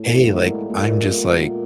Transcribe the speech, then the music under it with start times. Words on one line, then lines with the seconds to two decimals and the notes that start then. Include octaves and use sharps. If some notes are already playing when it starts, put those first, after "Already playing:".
hey. Like, I'm just like,
Already playing: A2
0.09 A3 B3
0.24 G#3 A#3
0.36 G3
0.40 G#3
0.55 G3
0.69 A#2 A3
0.81 G#3 A#3
0.92 G#3 A#3
1.03 A3 B3
1.15 G#3 A#3